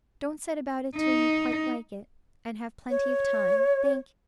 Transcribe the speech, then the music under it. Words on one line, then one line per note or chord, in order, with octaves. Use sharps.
'Don't set about it till you quite like it, and have plenty of time. Thank you.
D#4
C#5